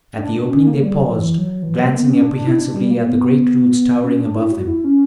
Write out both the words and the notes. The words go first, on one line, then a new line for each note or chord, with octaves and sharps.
At the opening they paused, glancing apprehensively at the great roots towering above them.
D4
D4
C#4
A#3
G3
F#3
E3
F#3
E3
F#3
A#3
B3
C#4
D4
D4
E4
D4
G3
A#3
B3
C#4
D4
E4
F#4
E4
C#4